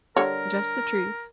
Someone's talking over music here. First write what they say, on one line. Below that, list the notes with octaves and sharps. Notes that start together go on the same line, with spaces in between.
"Just the truth."
D3 G3 A#4 C#5